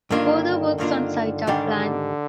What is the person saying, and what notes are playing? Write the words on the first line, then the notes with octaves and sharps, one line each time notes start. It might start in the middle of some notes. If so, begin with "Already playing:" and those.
Further works on site are planned.
G2 D3 D#3 A#3 D4 F4
G2 D#3 A#3 D4 F4
G#2 D3 D#3 G3 D4 G4